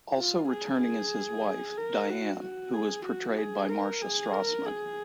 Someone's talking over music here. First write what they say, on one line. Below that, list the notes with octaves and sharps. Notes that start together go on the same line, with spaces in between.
Also returning is his wife, Diane, who is portrayed by Marcia Strassman.
F4
G#4
G#4
A#4
F#4
F#4
G#4
F#4
G#4
A#4
G#4
A#4
G#4